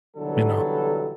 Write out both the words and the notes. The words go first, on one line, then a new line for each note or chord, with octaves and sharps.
you know,
B1 D3 E3 F#3 G3 A4